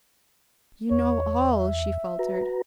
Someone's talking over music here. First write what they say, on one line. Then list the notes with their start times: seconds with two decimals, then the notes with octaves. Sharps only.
"You know all!" she faltered.
0.91 E2 C#5
1.52 E5
2.19 F#4 B4 A#5